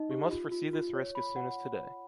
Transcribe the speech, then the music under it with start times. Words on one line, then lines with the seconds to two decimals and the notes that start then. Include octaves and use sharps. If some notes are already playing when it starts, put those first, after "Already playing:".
We must foresee this risk as soon as today.
Already playing: D#4 D#5
0.11 G4
0.31 F4
0.52 F4
0.73 F4
0.95 C#5
1.15 B5
1.36 F#5